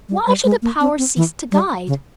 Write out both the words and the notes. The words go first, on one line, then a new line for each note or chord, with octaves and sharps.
Why should the Power cease to guide?
G3
G3
G#3
A#3
C4
C4
E3
G3
C#3